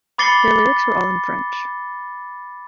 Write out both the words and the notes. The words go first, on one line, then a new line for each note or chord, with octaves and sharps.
Their lyrics were all in French.
B5 D6 A6 C7 C#7 G7